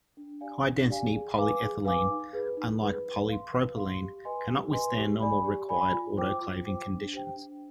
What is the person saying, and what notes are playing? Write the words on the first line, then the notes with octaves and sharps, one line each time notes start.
High-density polyethylene, unlike polypropylene, cannot withstand normally required autoclaving conditions.
D4
G4 D5 F5 G#5
D4
G4 D5 F5 G#5
G#4
B4 F5 G#5 D6
G#4
B4 F5 G#5 D6
D#4
G#4 B4
D#4
G#4 B4
B4
F5 C6
B4
F5 C6
G4
B4 D#5 G#5 C6
G4
B4 D#5 G#5 C6
G4
D5 G#5 B5
G4
D5 G#5 B5
F4
C5 G5 D6
F4
C5 G5 D6
D4
G4 C5 G5
D4